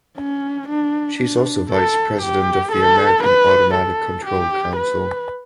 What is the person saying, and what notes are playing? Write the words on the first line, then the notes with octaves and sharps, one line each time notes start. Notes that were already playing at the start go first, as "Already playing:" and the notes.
She is also vice president of the American Automatic Control Council.
C#4
D4
D4
A4
G4
A4
B4
A4
G4
B4